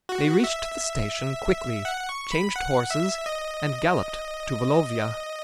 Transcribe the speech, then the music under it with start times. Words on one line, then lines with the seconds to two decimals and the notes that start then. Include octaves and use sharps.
They reached the station quickly, changed horses, and galloped to Volovya.
0.09 F#4
0.44 E5
1.85 F#5
2.09 C#6
2.32 B5
2.56 F#5
2.90 E5
3.26 D#5